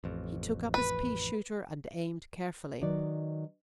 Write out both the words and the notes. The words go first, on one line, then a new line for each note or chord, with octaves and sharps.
He took up his pea-shooter and aimed carefully.
A1 F2
B4
D#3 F#3 D#4 B4 D5